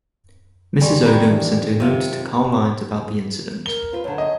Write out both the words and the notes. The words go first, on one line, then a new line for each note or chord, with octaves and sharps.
Mrs. Odom sent a note to Carl Lyons about the incident.
G3 G#5 C6 C#6
D#3 G#3 G5 A#5 B5 C#6
E3 D4
F#2 C3 F4
A#4 G7
C4 F4 B4
F#2 D3 C#5
D#5